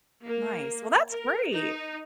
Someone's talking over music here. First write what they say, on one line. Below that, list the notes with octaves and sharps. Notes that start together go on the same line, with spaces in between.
Nice. Well, that's great.
A#3
A#4
D#4